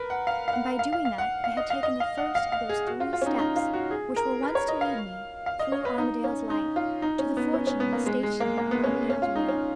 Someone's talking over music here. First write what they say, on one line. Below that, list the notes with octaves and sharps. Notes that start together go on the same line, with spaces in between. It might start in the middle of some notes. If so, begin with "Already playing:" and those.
And by doing that I have taken the first of those three steps which were once to lead me, through Armadale's life, to the fortune and the station of Armadale's widow.
Already playing: A#4 B4
F#5
F5
F5
F#5
F5
F5
F5
F#5
F5
D#5
F5
D#5
F5
F#5
F5
F5
G#4
F#4
F4
F4
C#4
D#4
D#4
F4
F#4
G#4
A#4
B4
C#5
D#5
F5
F5
D#5
C#5
B4
D#4
C#4
D#4
F4
D#4
C#4
B3
C#4
C#4
B3
A#3
G#3
G#3
A#3
A#3
B3
C#4
C#4
F4
D#4
C#4